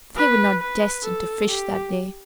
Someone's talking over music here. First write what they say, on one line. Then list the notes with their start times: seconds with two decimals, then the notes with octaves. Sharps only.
They were not destined to fish that day.
0.16 B4
0.60 B4
1.03 A4
1.48 G4